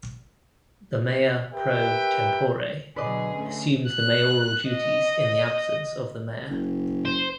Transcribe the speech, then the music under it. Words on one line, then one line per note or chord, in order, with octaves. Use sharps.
The Mayor Pro Tempore assumes the Mayoral duties in the absence of the Mayor.
G4 A#4 B4 E5 G5
B2 D3 F#3 G#4 B4 D5 D#5
A3 C#4
F#6
D#5
F#1
C5